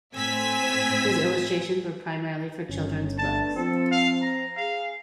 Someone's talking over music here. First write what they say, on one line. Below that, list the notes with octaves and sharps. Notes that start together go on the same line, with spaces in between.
His illustrations were primarily for children's books.
A2 C4 G#5 E6 G#6 B6
G1 C#4
A3 B3 D4 A5
F3 C4 A4
F5
A#5
G#4 F5